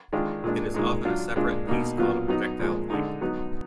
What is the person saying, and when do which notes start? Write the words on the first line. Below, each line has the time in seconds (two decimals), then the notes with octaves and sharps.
It is often a separate piece called a projectile point.
0.13 D#3 G#3 D4 F4
0.44 A#2 G#3 D4
0.74 A#2 G#3 D#4
1.05 F#3 D4 F4
1.36 A#2 G#3 D4 F4
1.67 B2 A#3 D#4
1.98 A#2 F#3 B3 F4
2.28 F#3 B3 D#4
2.59 A#2 F3 G#3
2.90 D3 G#3 D#4
3.21 F#3 B3 D#4